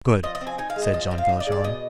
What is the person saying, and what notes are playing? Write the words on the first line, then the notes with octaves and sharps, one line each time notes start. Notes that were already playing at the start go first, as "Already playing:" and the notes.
"Good," said Jean Valjean.
F3 D#5
D#5
C4
G#5
D#4 G#5
F5
G#3
D#5
F3 D#5
C4
F5
D#4 D#5
D5
G#3
D5
B2 D#5